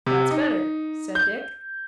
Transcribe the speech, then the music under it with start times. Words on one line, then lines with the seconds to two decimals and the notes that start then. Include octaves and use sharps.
"That's better," said Dick.
0.06 C3
0.31 D#4
1.15 G6